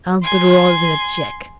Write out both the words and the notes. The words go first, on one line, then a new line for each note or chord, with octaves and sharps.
"I'll draw the cheque."
G#5 C6